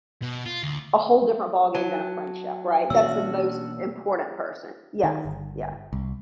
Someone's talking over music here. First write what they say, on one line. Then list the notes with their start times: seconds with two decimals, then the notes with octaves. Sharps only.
a whole different ballgame than a friendship, right? That's the most important person. Yes. Yes.
0.22 B2
0.45 F4
0.63 D2
1.75 F#3 A5
2.90 B2 E3 A#3 C#4 D4 F#4 E6
5.03 D#3
5.25 G1
5.93 C2